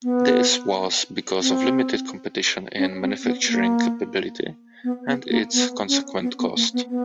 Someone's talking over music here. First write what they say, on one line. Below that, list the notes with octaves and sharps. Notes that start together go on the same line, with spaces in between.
This was because of limited competition in manufacturing capability and its consequent cost.
B3
C4
C#4
C4
B3
A#3
B3
B3
A#3
B3
C#4
B3
B3
A#3
B3
B3